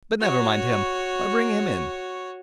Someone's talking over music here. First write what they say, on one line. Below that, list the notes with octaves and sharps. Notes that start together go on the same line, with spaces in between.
But never mind him, why bring him in?
F#4 C#5